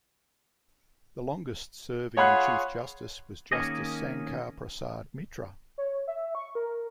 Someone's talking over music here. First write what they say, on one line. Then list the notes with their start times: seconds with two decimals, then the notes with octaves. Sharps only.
The longest serving Chief Justice was Justice Sankar Prasad Mitra.
2.17 F4 G#4 C#5 F#5 B5 F#6
3.52 D#3 A#3 C#4 G#4 D#5
5.78 C#5
6.07 E5
6.35 C#6
6.55 A#4